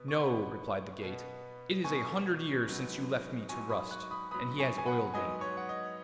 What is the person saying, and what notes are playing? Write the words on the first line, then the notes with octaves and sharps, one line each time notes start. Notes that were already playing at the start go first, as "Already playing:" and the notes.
'No,' replied the gate; 'it is a hundred years since you left me to rust, and he has oiled me.
Already playing: B2 B3
C#6
B2 B3 F#5 B5
B2 B3
B2 B3 G#5 C#6
G#2 F#3 B3
G#2 F#3 B3 G#5 C#6
B5 D#6
C#6 F#6
B5 D#6
G#2 F#3 B3 B5 D#6
G#5 C#6
G#5
F#5 B5
G#2 F#3 B3 D#5 G#5
C#5
F#5
D#5